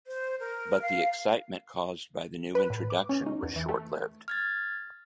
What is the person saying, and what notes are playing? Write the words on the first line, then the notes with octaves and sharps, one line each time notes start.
But the excitement caused by the new introduction was short-lived.
C5
A#4
F5
B4
A2
D6
C#4
D#4
E2
E3
A3
F6 G#6 A6